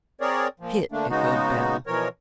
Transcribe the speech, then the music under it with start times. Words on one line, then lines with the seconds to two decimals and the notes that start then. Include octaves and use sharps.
"Hit!" echoed Bell.
0.21 C4 G#4 A#4 C#5 D5
0.60 A#2 F3
0.92 D3 A3 A#3 D4
1.10 C#3 G#3 B3 D#4 F#4
1.87 B2 E3 F3 A#4 C#5